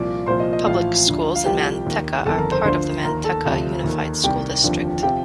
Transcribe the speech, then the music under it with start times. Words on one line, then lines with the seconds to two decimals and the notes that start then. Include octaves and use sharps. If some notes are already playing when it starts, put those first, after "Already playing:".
Public schools in Manteca are part of the Manteca Unified School District.
Already playing: C2 A#2 F3 D5 D6
0.26 C2 A#2 F3 C5 C6
0.40 D#5
0.53 D#5
0.66 A1 A2 F3 F4 F5
1.06 D2 D3 F3
1.36 F5
1.45 C2 C3 F3 G4 G5
1.86 D#2 D#3
2.25 G1 F2 D#3 A4 A5
2.39 A#4 A#5
2.52 C5 C6
2.65 D2 D3 F3 C5 C6
3.04 D#2 D#3 A#4 A#5
3.24 A4 A5
3.45 D2 C3 F3
3.84 D#2 D#3
4.23 C2 C3 D#3 G4 G5
4.63 F1 D#2 D3 F3
5.03 C3 F3 G4 G5